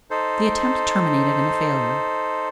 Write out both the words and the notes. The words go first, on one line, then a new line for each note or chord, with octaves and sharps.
The attempt terminated in a failure.
D#4 A4 C5